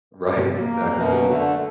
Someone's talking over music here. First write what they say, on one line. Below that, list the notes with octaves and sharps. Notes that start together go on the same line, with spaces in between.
Right, exactly.
A#3
F#2 B2
D3 A3